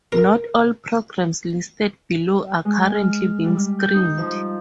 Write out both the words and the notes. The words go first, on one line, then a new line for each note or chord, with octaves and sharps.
Not all programs listed below are currently being screened.
A#4
G#3
F6
G3
G6
D#4
F3